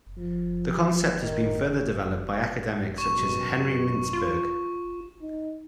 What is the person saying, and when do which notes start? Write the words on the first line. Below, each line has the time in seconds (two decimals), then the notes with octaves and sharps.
The concept has been further developed by academics such as Henry Mintzberg.
0.17 F3
1.19 D#3
2.98 F#2 B2 C#6 E7
4.13 F4
5.22 D#4